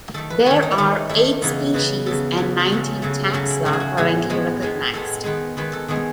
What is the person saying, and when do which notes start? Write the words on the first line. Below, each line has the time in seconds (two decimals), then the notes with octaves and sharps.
There are eight species and nineteen taxa currently recognized.
0.14 D#3 A3 A4
0.30 B4
0.46 D#3 A3 C#5
0.56 E4
0.62 D#4
0.71 E4
0.78 D#3 A3 D#4
1.09 D#3 A3 E4
1.42 C#3 E3 B3 D#4
1.74 C#3 E3 B3 B4
2.06 C#3 E3 B3 A4
2.38 C#3 E3 B3
2.69 C#3 F#3 A3 C#4
3.02 C#3 F#3 A3
3.33 C#3 F#3 A3 C#4
3.50 E4
3.65 C#3 F#3 A3 F#4
3.73 G#4
3.80 F#4
3.97 A2 G#3 B3 G#4
4.30 A2 G#3 B3
4.62 A2 G#3 B3
4.93 A2 G#3 B3 A4
5.24 D#3 G#3 B3 B4
5.57 D#3 G#3 B3 B4
5.73 A4
5.88 D#3 G#3 B3 G#4